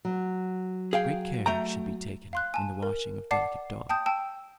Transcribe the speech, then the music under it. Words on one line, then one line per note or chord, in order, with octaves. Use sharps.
Great care should be taken in the washing of delicate dogs.
F#3
G#4 F5 G5
A3 G5 A#5
F5 C6 F#6
G#5 A5
A#4
D5 F#5 A5 D6 C7
G5 A5 D#6 G6
G5 A5 E6